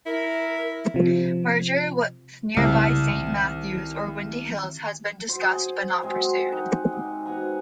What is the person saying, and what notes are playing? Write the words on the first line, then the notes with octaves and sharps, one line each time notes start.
Merger with nearby Saint Matthews or Windy Hills has been discussed but not pursued.
E4 A#4
C3 F3
C2 C#3
D#3 C4
F#3 C5
G#4
F#3 G#3 C4
D#4 F#5
C3
B2 F#5 G#5 A#5